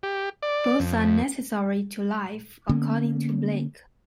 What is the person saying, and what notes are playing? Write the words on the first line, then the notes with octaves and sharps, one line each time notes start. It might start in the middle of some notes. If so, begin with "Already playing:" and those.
Both are necessary to life according to Blake.
G4
D5
F2
D3 A#3 B3 C#4